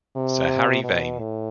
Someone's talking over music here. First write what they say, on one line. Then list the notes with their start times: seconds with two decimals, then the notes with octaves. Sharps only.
Sir Harry Vane!
0.16 C3
0.84 B2
1.19 A2